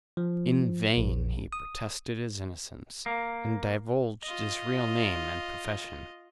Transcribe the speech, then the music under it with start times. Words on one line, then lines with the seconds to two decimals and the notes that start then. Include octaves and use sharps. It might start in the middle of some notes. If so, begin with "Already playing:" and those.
In vain he protested his innocence, and divulged his real name and profession.
0.17 F3
0.97 A#1
1.53 D#6
3.06 A#3
4.23 F4 D#5